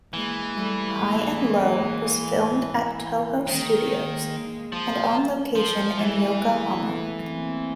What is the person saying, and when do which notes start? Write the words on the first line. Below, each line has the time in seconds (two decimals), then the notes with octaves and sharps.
"High and Low" was filmed at Toho Studios and on location in Yokohama.
0.13 E3 G#3 A#3
0.55 G3 A3
0.97 G#3 A#3
3.47 D#3 G#3 A#3
4.72 F3
5.56 F3
5.98 E3 G3 A3
6.40 G#3 A#3
6.81 A3 B3
7.23 A#3 C4